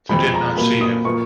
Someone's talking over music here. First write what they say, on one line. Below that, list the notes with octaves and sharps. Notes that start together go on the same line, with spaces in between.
They did not see him.
F2 F3 G#3 B5
A#5
A#2 F#3 A#3 B5
D#6
A#2 F3 A#3 C#6